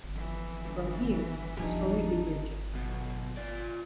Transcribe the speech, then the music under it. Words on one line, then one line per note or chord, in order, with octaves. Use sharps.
From here, the story diverges.
F2 E3
E2 G2 D3
E2 F3 D4 D#4 G4 G#5
B1 B2
F4 D5